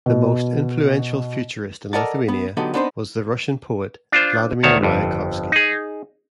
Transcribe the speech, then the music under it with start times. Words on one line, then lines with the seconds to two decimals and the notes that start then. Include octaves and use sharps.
The most influential futurist in Lithuania was the Russian poet Vladimir Mayakovsky.
0.06 B2
1.93 A4 A#4 D5 D#5 F#5 A5
2.28 B3
2.57 D3 F#3 B3 D#4 G4 A4
2.74 B3 C4 D4 D#4 B4 C5
4.12 D4 F4 C5
4.63 D2 D#3 C#5 A5
4.81 G1 F2
5.52 D#4 G#4